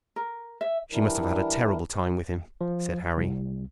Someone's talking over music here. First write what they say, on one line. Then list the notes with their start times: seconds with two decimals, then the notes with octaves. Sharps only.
"She must have had a terrible time with him," said Harry.
0.16 A#4
0.61 E5
0.92 E3 G3 D4 E4 A#4
2.61 F3
3.17 C2